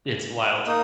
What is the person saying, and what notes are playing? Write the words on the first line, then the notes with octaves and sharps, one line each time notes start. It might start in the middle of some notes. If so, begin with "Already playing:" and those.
It's wild.
A#3 D#4 D#6